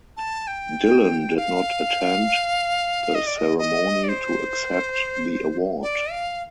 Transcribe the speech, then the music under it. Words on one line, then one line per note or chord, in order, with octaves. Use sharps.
Dylan did not attend the ceremony to accept the award.
A5
G5
F5
D#5
D5
D#5
D#5
D5
C5
D5
F5